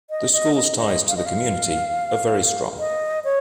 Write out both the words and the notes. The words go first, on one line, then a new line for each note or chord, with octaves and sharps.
The school's ties to the community are very strong.
D#5
D#5
D#5
D#5
F5
D#5
F5
D#5
C#5